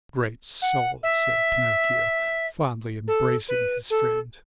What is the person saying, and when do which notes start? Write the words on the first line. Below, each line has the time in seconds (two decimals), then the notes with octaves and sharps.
"Great soul!" said Pinocchio, fondly embracing his friend.
0.61 F#5
1.03 E5
3.07 A4
3.48 B4
3.90 A4